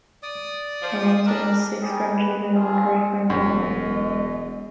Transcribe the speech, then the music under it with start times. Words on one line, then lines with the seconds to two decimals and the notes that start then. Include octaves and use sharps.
Dawn also has six grandchildren and one great-granddaughter.
0.23 D5 D#6
0.82 F3
1.26 G3 D4 A#4
1.80 D#3 G3 G4 G#4
2.16 B4
2.53 C2 G2 C3 F3 F4 G#4
3.30 E1 F#2 G#3 D#5